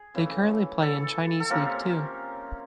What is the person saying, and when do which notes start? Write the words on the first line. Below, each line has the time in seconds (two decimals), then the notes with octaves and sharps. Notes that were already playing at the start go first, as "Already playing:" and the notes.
They currently play in Chinese League Two.
Already playing: G#4
0.14 C#3 E3 A3
0.82 A4
1.40 A4
1.50 C3 F3 A#3 C#4 A#4